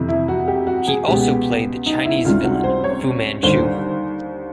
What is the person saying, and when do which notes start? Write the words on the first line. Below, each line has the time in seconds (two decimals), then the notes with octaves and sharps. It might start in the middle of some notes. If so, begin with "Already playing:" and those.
He also played the Chinese villain Fu Manchu.
Already playing: F2 C3 E3
0.08 E4
0.28 F#4
0.48 G4
0.67 F#4
0.88 G#4
1.07 C#2 B2 G#3 B3 G4
1.86 D#4
2.05 E4
2.25 C#2 C3 D#3 G3 F4
2.44 F#4
2.64 C5
2.84 C#5
3.43 D#2 D3 G3 C5